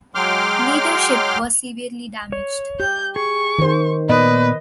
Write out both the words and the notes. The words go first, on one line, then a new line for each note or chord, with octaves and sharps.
Neither ship was severely damaged.
F#3 G#3 G5 C6 D6 F6
C#5
G4 G6
G#4 C#6
D#3 C5
A#2 B3 B4 D5 D#5